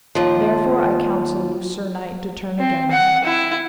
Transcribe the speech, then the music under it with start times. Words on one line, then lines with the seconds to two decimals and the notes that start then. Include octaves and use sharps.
Therefore, I counsel you, sir knight, to turn again.
0.15 D#2 F3
2.59 C4
2.91 F#5
3.24 E4